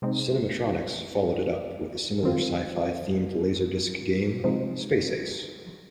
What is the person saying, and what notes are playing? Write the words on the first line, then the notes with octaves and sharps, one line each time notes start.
Cinematronics followed it up with the similar sci-fi-themed laserdisc game, "Space Ace".
C3 G#3 C4 D#4
D#3 C4 F4
C3 F3 G#3 C4 D#4